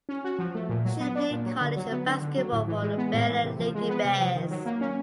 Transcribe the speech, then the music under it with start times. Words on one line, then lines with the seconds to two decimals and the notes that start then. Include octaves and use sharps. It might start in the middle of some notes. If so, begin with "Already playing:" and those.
She played college basketball for the Baylor Lady Bears.
0.09 C#4
0.24 F#4
0.39 F3
0.55 A3
0.69 A#2
0.85 F#3
1.00 B3
1.15 D4
1.31 A#2
1.46 F#3
1.61 D3
1.77 F#3
1.92 B3
2.07 D3
2.22 D3
2.37 F#3
2.52 A2
2.68 E3
2.82 G#3
2.98 B3
3.14 A2
3.28 E3
3.44 C3
3.59 F3
3.75 G#3
3.89 B3
4.04 C3
4.20 F3
4.35 D#3
4.51 F#3
4.66 A#3
4.81 C#4